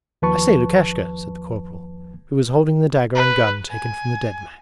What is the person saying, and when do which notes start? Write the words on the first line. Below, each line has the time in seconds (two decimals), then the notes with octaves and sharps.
'I say, Lukashka,' said the corporal, who was holding the dagger and gun taken from the dead man.
0.22 D#2 F3 B4 A5 C#6
3.15 B4
3.70 G#5